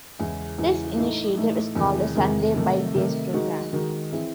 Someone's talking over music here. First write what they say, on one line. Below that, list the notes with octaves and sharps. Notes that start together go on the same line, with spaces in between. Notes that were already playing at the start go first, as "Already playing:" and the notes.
This initiative is called the Sunday Bikedays Program.
E2 C#3 G#3 C#4 E4
E2 C#3 G#3 C#4 E4
A2 E3 A3 D#4
A2 E3 A3 D#4
E2 C3 D#3 G#3
E2 C3 D#3 G#3
C3 D#3 A3
C3 D#3 A3
D#3 G#3 D#4 F#4
D#3 G#3 D#4 F#4
E3 C4 E4 G#4